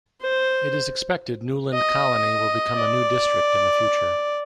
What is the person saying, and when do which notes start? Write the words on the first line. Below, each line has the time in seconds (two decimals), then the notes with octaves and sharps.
It is expected Neuland Colony will become a new district in the future.
0.22 C5
1.74 D#5
2.75 D5